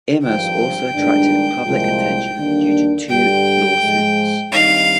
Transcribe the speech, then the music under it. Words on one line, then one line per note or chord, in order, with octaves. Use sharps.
Imus also attracted public attention due to two lawsuits.
G#1 G2 F3 G5
G1 G2 D#3 G#3 D4
C2 A#2 F3 G#3
D#2 D3 G3 A#3 D4
G2 D3 G3 G5
G#2 F3 G#3
G2 D#3 G3 C4 D#4 F5